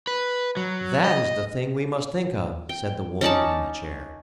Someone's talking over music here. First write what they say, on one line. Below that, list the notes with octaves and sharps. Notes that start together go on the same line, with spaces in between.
"That is the thing we must think of," said the woman in the chair.
B4
F#3
D#5
G5
C#4 D#4 D5 A5